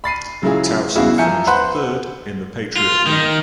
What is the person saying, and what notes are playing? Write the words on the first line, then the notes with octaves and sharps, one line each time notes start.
Towson finished third in the Patriot League.
B5 A6 C7 D#7
C#3 F#3 G#3 E4 F4 G#4
E2 C#3 E4 F#4 G#4 F5
F3 E5 G#5 A#5 G6 C#7
B4 C5 F#5 B5 C6 F#6
F4
D#3